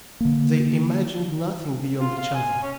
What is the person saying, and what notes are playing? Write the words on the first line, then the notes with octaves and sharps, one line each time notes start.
They imagined nothing beyond each other.
D3 A#3
F4
F5
G#5
C#4